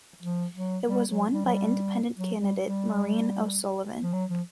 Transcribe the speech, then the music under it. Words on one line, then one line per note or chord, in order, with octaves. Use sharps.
It was won by Independent candidate Maureen O'Sullivan.
F3
F#3
G3
F#3
G3
F#3
G3
F#3
G3
G3
F3
F#3
F3